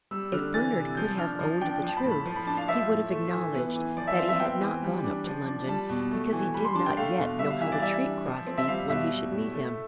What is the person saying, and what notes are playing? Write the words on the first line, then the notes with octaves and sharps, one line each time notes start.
If Bernard could have owned the truth, he would have acknowledged that he had not gone up to London, because he did not yet know how to treat Crosbie when he should meet him.
G3 E6
D3 F6
E3 A6
C3
F3 G6
D4 F6
F3
D4 G5
F3 A5
B5
A2
B5
F3 A5
B5
D4 A5
F5
F3 E5
A2
A3
E3
B3
E3
F3 D5
E5
C4 F5
E5
B3 G5
E3
G3
D4
F3
D4
G3 A5
B2
A3
E3
G3 B5
C6
D4 A5
G5
A3 F5
B2
G3 E5
F5
E3 E5
D5
G3 E5
D4
F3
C4
E5
G3 F5
B2 E5
G3
A2
A3